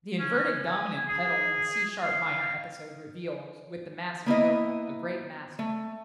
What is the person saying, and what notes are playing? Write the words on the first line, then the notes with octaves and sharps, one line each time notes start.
The inverted dominant pedal in the C sharp minor episode reveals, with the massive coda, a great master.
C#4
G#5
G#4
F5
A#3 B3 E4 D#5
A3